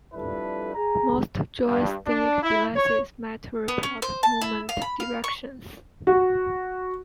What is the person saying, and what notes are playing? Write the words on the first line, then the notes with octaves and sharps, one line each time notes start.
Most joystick-devices might report movement directions.
F2 G3 D4 E4 A4 B4
G#4 A#5
G2
D4
E4
C#5
B3
C#4
C5
A5
E4
F5
B5
F5
C#6
F#4